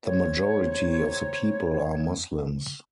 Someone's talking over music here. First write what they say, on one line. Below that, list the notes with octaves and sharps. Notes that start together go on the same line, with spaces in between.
The majority of the people are Muslims.
C4 D#4 C#5